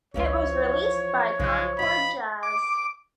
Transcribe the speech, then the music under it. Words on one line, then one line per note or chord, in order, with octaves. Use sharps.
It was released by Concord Jazz.
G#1 C#2 E3 F3 C#4 C#5
B1 C#3 F3 G#3 F#6
F3 D#4 B5
D6